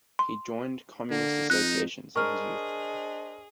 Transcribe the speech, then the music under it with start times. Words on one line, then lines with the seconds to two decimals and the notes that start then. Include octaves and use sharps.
He joined communist associations in his youth.
0.19 C6
1.10 D3 A#3
1.50 F2 D#4 F#6
2.16 D4 G#4 A#4 C5 D#5 C#6 F6